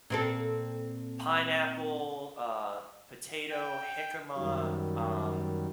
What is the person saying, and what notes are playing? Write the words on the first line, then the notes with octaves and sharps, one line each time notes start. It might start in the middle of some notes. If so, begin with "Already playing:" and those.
pineapple, uh, potato, jicama, um,
A#2 C4 A4
G5
F#2 D#3 F#3 G3